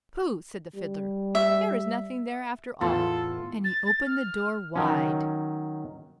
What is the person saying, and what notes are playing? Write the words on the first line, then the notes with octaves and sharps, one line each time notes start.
"Pooh!" said the Fiddler, "There's nothing there, after all," and he opened the door wide.
G3
E5
E2 A2 B3 E4 F4 A4 A6
A6
F6
D#3 F#3 C#4